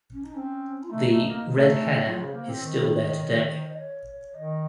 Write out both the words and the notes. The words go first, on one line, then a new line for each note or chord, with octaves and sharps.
The "Red Hare" is still there today.
C#4
D#4
C4 C#4
F4
A3 D#4
A3
A#3
A3
C4
C#4
D#4
F#3 F4
C#3
C5
A#3
C4 C5
C#5
D#3 C5
C5
C#5
C#5
C5
D#5
C#5
C#5
D#3 D#5